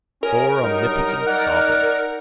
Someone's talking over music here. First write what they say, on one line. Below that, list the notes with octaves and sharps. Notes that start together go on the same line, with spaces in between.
Four omnipotent sovereigns.
C#4 G#4 A#4
G2 F#3 D#4
D#4 D5 F#5